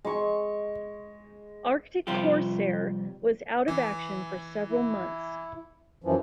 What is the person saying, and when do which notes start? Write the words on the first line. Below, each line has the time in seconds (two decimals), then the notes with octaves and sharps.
"Arctic Corsair" was out of action for several months.
0.05 G#3 C#6
2.07 C3 F3 G3 F4 G4
3.68 E3
4.69 E4
6.04 F#2 E3 F3